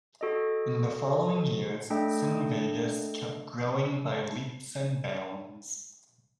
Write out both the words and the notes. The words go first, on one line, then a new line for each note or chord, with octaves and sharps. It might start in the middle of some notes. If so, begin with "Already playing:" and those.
In the following years, CineVegas kept growing by leaps and bounds.
F#4 A4 D#5
A3 D4 A4 D#5 G5